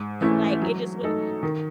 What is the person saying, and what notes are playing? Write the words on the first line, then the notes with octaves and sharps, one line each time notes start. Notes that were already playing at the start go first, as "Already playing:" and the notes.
like, it just would
Already playing: G#2
E3 A3 C#4 E4
F#3
A3 D#4 A4
D#3